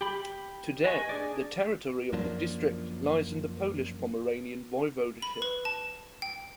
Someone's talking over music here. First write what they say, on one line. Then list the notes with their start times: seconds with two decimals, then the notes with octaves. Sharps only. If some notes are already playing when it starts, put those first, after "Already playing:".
Today the territory of the district lies in the Polish Pomeranian Voivodeship.
0.01 G4 B5
0.84 B4 D#5 G#5 C#6
1.09 D4 G#4 D5
2.13 F#2 F3 A#3 D4
5.22 B5
5.42 B4
5.65 A5
6.22 G5